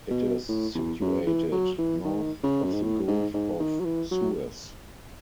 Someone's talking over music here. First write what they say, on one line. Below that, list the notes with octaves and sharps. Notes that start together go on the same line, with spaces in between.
It is situated north of the Gulf of Suez.
B2
A2
E2
F#2
E3
F#3
E3
D#3
C#3
F#2
G#2
A2
G#2
G#2
D#3
F#3
E3
F#3